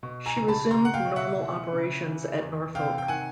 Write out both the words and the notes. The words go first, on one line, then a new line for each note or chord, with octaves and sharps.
She resumed normal operations at Norfolk.
B2
G#5 A#5
C#2
A5 B5
C#2 A#5 C6
F#5
F5 G5
B2
E5 F#5
E3
C#3
E3
E2
C3 F5 G5
G5
D#3 F#5 G#5